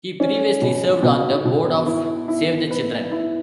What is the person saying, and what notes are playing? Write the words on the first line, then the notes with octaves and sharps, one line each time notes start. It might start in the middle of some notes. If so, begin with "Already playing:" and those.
He previously served on the board of Save the Children.
C#4
B2
B2
B2
E4
E4
B4
E4